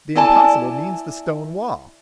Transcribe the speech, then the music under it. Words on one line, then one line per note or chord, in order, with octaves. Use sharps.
The impossible means the stone wall!
E4 D5 G#5 A5